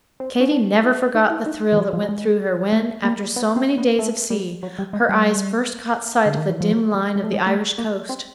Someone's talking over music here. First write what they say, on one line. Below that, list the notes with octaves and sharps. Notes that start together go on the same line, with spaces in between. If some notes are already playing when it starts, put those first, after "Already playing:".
Katy never forgot the thrill that went through her when, after so many days of sea, her eyes first caught sight of the dim line of the Irish coast.
C4
C#4
D4
E4
D#4
E4
D#4
E3
F3
F3
G3
G#3
A3
A#3
B3
C4
B3
A3
G3
F#3
G3
G#3
G3
D3
D#3
E3
F3
F#3
G3
G#3
A3
G#3
A3
A#3
C4